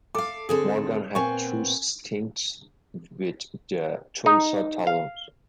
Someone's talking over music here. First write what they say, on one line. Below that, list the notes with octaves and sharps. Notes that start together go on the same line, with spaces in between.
Morgan had two stints with the Tulsa Talons.
A4 F5 D6
D3 C4 G#4 A4
A#2 B3 C4 G#5 C#6
D#4
F5